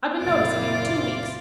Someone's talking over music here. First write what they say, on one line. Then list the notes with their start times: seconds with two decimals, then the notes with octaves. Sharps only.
I've been noticing it for two weeks.
0.22 F#1 A#2 A#3 C4 E4 F4 D5 D6